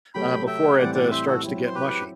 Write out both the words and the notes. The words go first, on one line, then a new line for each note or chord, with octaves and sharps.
uh, before it, uh, starts to get mushy.
C3 F#3 A3 G5 B5
E5 G5
A2 E3 G3 C4 D5 F#5
D5 F#5
C5 E5
F#4 A4
F#3 C4 E4
C5
G4 B4